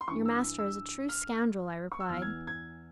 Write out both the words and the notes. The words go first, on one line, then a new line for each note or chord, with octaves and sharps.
'Your master is a true scoundrel!' I replied.
C6
G2 E3 C#6
E6
E6
F6
C#6
E6
E2 E3 F6
G#6
G#6